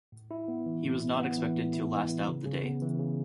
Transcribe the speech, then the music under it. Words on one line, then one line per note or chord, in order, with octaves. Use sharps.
He was not expected to last out the day.
A2
E4
B3
E3
A2
E4
B3
E3
A2
E4
B3
E3
C#3
C#3
B3
E3
C#3